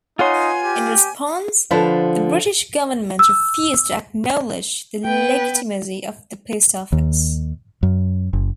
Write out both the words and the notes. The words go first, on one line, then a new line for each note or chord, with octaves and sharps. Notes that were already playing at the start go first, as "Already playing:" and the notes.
In response, the British government refused to acknowledge the legitimacy of the post office.
D#4 F4 B4 C#5 F#5 G#5 C6
G4
D3 F3 B4 C5 F5
E6
B3 B4 G5
D#2
F#2
F#1